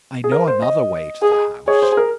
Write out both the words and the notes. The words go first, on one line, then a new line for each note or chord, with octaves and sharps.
I know another way to the house.
G#4
A#4
C5
D#5
G#4
G#4 C#5
C5
A#4